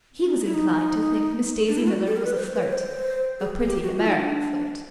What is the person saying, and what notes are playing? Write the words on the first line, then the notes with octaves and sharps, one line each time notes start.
He was inclined to think Miss Daisy Miller was a flirt--a pretty American flirt.
C#4
D#4
E4
D#4
D4
E4
F#4
A4
A#4
B4
C5
B4
C#5
C5
G#4
G#4
G4
F#4
F4
D#4
D4